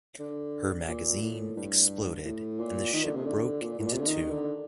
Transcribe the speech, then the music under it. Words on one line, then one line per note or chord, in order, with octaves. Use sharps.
Her magazine exploded and the ship broke into two.
D3
A#2
A2
G2
A2
A#2
D#3
D3
C3
D3
A#2
A2
A#2
C3
D3
D#3
D3